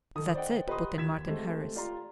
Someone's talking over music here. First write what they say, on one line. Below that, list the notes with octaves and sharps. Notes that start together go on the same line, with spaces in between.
"That's it," put in Martin Harris.
D#3 A4 D#6
C5 D5 D#5 F#5 G5
G4 B4 D#5 A#5 C6 D#6
D#2 G#6 B6 E7
G#3 A3 C4 G4
F4 G4 D5 F5 A#5 C6